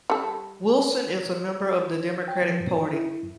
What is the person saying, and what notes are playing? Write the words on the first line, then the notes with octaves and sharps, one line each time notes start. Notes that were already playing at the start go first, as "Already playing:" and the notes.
Wilson is a member of the Democratic Party.
G3 A4
G5
F3
F#2
A#4
E4
F#2